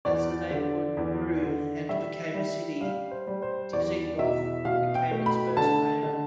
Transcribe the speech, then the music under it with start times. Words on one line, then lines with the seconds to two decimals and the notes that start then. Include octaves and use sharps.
As the neighborhood grew and became a city, Dizengoff became its first mayor.
0.05 E2 D5
0.51 D3
0.97 E2
1.43 D3
1.89 G3 E5
2.34 G3
2.81 G3 F5
3.11 C5
3.27 G3
3.42 C5
3.73 E2 D5
4.19 B2 E5
4.65 B2 F5
4.95 G5
5.11 A3
5.26 B5
5.57 D3 A5
6.03 D3